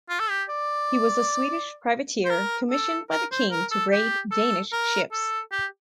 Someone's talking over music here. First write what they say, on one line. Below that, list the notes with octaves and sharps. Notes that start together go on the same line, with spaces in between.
He was a Swedish privateer commissioned by the king to raid Danish ships.
F4
A4
G4
D5
C5
A#4
A4
A#4
C5
A#4
A4
G4
A4
A#4
A4
G4